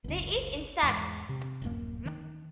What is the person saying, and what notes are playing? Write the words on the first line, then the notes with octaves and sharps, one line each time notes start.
They eat insects.
F#1 C#2
E2 G#2
C3
D1 F#2 A#3
D#3